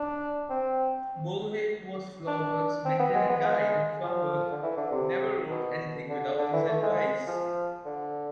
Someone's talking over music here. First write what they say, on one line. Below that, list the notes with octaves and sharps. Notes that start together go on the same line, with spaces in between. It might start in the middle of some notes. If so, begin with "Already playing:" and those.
Bouilhet was Flaubert's mentor and guide, and Flaubert never wrote anything without his advice.
Already playing: D4
C4
D4
C4
B3
G#3
B3
G#3
F3
D3
E3
D3
C3
B2
D3
D3
E3
A3
G#3
F3
D3